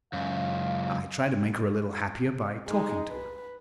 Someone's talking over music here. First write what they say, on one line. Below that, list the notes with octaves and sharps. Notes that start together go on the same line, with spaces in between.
I tried to make her a little happier by talking to her.
C#2 F#2 F5
G#3 D#4
B4